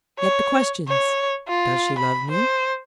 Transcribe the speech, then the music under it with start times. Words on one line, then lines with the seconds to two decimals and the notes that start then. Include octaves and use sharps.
Yet the questions--Does she love me?
0.19 C#5
0.88 C#5
1.48 F4
1.98 B5
2.31 C5